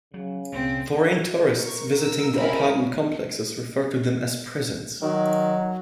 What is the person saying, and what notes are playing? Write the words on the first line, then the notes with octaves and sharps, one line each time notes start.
Foreign tourists visiting the apartment complexes referred to them as "prisons".
C#3 F#3
C2 A#2 C4
A#4 C#6
A#4 E6
C4 C#4 E4 A#4 F5 B5
D#3 F#3